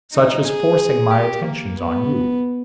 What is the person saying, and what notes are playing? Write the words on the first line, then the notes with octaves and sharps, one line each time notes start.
Such as forcing my attentions on you.
D#4
G#4
G4
A#3
B3